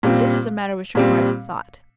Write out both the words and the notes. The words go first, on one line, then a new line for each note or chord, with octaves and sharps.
This is a matter which requires thought.
A#2 G3 C4
A#2 G3 C4